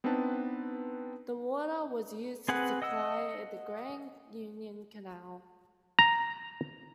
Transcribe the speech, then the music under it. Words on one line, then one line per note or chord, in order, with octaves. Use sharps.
The water was used to supply the Grand Union Canal.
B3 C4 D4 D#4 B4 A5
C4 G#4 B4 F#5
D#5 F#5 E6
A#5